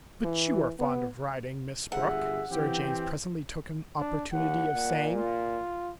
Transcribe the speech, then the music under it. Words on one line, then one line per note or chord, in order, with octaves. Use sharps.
"But you are fond of riding, Miss Brooke," Sir James presently took an opportunity of saying.
E3
B3
G1 G#4 E5 F#5
E3 C4 G4
D4
D#2 F#5
A#2
F4